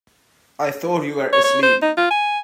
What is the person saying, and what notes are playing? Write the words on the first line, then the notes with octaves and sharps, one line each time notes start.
I thought you were asleep.
C#5
C#5
C5
D#4
F4
G#5